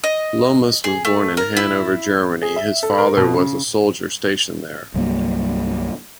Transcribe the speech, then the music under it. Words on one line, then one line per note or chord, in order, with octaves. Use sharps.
Lomas was born in Hanover, Germany, his father was a soldier stationed there.
D#5
G#4
A3
A#4
E4
G#4
E5
A4
A#4
B2
C#3
C2 G2 F#3 A#3